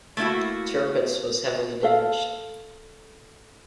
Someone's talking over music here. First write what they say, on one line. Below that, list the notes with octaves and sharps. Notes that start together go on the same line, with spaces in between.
"Tirpitz" was heavily damaged.
A3 A#3 E4 F#4
A4 F5